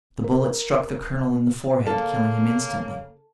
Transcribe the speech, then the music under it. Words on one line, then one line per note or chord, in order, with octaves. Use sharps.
The bullet struck the colonel in the forehead, killing him instantly.
A#4
C#3 A#3 A4